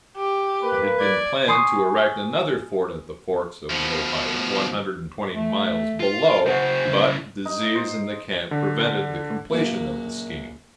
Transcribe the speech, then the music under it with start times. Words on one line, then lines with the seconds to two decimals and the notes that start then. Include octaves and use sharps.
It had been planned to erect another fort at the Forks of the Ohio, one hundred and twenty miles below; but disease in the camp prevented the completion of the scheme.
0.17 G4
0.63 A#3 B4
1.00 D5 G#6
1.48 G#5 C6 C#6 D#6
3.71 B2 F3
5.33 A3
6.00 F4
6.46 C#3 F#4 C5
6.85 C#3 E4
7.46 D#4
7.75 C5
8.51 D3
9.50 C#2 F#2 A#2 A#3